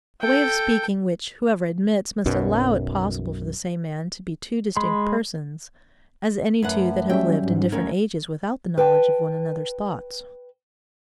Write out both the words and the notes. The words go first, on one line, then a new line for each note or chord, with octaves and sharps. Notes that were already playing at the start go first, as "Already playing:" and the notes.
A way of speaking which, whoever admits, must allow it possible for the same man to be two distinct persons, as any two that have lived in different ages without the knowledge of one another's thoughts.
A4 G5
B1 F#2 B2
G#3 B5 C6
F#2 A3 B4 F#5
F#3 G3 C#4 E5 G5
G#2
D2 C#4 A#4
B4 G5 A5